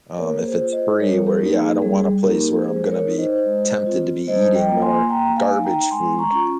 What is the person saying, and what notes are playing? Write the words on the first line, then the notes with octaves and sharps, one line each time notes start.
um, if it's free where, yeah, I don't want a place where I'm gonna be tempted to be eating more garbage food,
A#3 A#4 C#5
G#4 C5
F4
C5 D#5
G3 A#4 C#5
G4 A#4
A#3 D#4
G#4
G3 G#4
A#3 D#4 G4 A#4
G#3 G#4 C5
A#4 C#5
D#4
C5 D#5
G#3
C4 F4
G3 C5 D#5
D#5 G5
A#3 F4
G#5 C6
A#3 G5 A#5
F5 G#5
D#4
G5 A#5
G#3 G#5 C6
A#5 C#6
C#4 F4